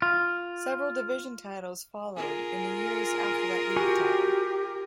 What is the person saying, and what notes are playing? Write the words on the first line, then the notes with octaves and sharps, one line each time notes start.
Several division titles followed in the years after that league title.
F4
F4 G#4 A#4 G#5
F#4 G4 G#5